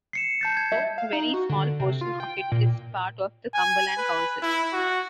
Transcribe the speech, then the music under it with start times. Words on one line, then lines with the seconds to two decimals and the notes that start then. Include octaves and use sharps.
Though a very small portion of it is part of the Cumberland Council.
0.13 C7 C#7 E7
0.41 A5 G6 A6
0.57 G#6
0.72 E5
0.98 F5
1.13 D#4
1.34 F#4
1.49 D3
1.79 C3
2.01 F4
2.20 G5
2.52 A#2
3.54 G#5
3.98 B4
4.42 E4
4.73 F#4